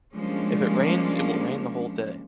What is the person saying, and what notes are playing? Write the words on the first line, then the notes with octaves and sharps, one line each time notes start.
If it rains, it will rain the whole day.
F3 G3 G#3 A#3 C#4 D4